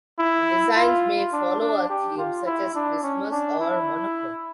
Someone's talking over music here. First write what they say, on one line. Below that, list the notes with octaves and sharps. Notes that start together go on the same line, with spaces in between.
Designs may follow a theme, such as Christmas or monochrome.
E4
F4
D4
D4
G4
F4
E4
D4
C#4
D4
E4